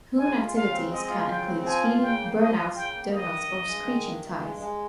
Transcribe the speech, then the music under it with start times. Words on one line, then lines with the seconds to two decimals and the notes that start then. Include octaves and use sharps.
Hoon activities can include speeding, burnouts, doughnuts or screeching tyres.
0.17 G#3 G#5
0.36 F4
0.54 C#3 F5
0.72 C4
0.91 G#3 D#5
1.09 F4
1.28 C#3 G5
1.46 C4
1.64 F3 G#5
1.83 F4
2.01 C#3 G5
2.20 A#3
2.38 F3 D#5
2.57 F4
2.75 C#3 G5
2.94 A#3
3.12 D#3 D#5
3.31 G2
3.50 G2
3.67 G#3
3.85 D#3
4.04 G2
4.23 G2
4.41 G#3
4.60 G#3